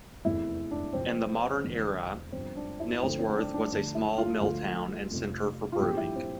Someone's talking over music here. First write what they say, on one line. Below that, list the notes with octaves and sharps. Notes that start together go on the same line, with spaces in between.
In the modern era Nailsworth was a small mill town and centre for brewing.
F1 E2 E3 E4
D4
C2 C3 F3 C4
E1 E2 D3
G1 G2 F3 C4
D4
E4
D2 D3 F3 C4
C4
D4
D4
D2 D3 F3 D4
E4
F4
D2 D3 F3 F4
F1 F2 C3
F4
A#1 A#2 F3 G4
E4
C4